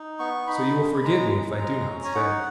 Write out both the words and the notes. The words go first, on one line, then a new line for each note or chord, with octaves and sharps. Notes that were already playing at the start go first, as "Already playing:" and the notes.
"So you will forgive me if I do not stay."
Already playing: D#4
B3 C#6
D#4 B5
G#3
G#3 A#5
G#3
G#3
C#4
G#5
D#4 F#5